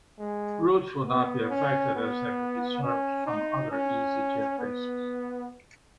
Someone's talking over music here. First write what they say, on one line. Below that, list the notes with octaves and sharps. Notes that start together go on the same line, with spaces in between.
Routes will not be affected as they will be served from other Easyjet bases.
G#3
B3
C#4
B3
C#4
D#4
C#4
B3